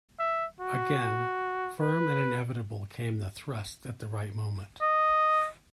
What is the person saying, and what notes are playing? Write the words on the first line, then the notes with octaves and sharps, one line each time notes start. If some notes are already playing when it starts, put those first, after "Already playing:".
Again, firm and inevitable came the thrust at the right moment.
E5
F#4
B4
D#5